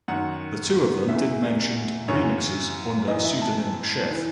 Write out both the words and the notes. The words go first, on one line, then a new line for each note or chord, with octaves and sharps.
The two of them did mentioned remixes under pseudonym Chef.
F#2 D#3 F#5
E2 C#3 E3 E5
F#2 C#3 E3 C#5
F#2 E3 D#5
E5
A5
E3